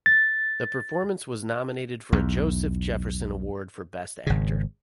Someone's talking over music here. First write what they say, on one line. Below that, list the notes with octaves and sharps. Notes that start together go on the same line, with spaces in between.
The performance was nominated for a Joseph Jefferson Award for best actor.
A6
B1 E2
G#1 C#3